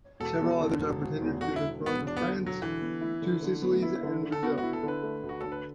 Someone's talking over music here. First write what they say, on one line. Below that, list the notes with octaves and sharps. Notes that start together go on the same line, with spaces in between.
Several others are pretenders to the thrones of France, Two Sicilies, and Brazil.
E1 A4
E2
D3
E1
E1
E2
D3 F#4
E4
E1
E1 B3
E2
D4
B3
D3
E1 F#3
D3 E3
B3
E4
D3
D3
B3
E4
D3
D3
A4
B3 F#4
F#4
E4
A4
D3
B4
A3
D2
F#4
D3 A4
B4